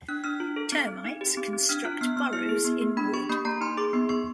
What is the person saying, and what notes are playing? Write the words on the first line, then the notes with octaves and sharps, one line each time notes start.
Termites construct burrows in wood.
D4 F#6
D4 F6
F4
A4
C4
C4
D#4
G4
C4
C4
D4 F6
F4 F#6
B3 F6
B3 F6
E4 F6
G#4
B3
B3
D4 B5
G4 C#6
A#3 B5
A#3 A#5
D#4 C6
G#4 D6
B3 C6
B3 C#6